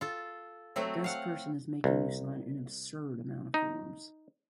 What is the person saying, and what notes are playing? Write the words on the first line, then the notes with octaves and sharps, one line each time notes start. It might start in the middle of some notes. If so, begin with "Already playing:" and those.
The deskperson is making you sign an absurd amount of forms.
F4 A4
F#3 A3 C4 F#4
F5 F#5
C2
D#4